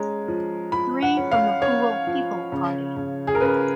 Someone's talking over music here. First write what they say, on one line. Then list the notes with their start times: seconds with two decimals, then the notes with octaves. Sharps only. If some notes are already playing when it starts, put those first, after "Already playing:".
Three from the Poole People Party.
Already playing: G#3 C#4 A#5
0.28 F3
0.72 F3 B5
1.02 F#5
1.17 C#4
1.31 F5
1.62 C#4 C#5
2.07 F3
2.52 C#3
2.97 C#3
3.27 G#4
3.35 A#4
3.41 C#3 B4